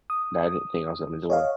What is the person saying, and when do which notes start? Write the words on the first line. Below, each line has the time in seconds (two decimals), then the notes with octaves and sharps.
That, I didn't think I was gonna enjoy.
0.10 D#6
1.30 C#5 D#5 F5